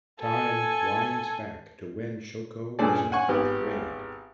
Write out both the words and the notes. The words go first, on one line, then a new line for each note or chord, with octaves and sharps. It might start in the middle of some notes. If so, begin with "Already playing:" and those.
Time winds back to when Shoko was in fourth grade.
A4 G#5
G2 A#2 C#3 G#4 A4 D5
F#5 G#5 C#6
G#1 B3 G4